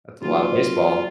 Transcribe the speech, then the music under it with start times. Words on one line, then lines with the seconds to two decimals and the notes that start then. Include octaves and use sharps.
That's a lotta baseball.
0.21 D#2 C#3 F#3 F4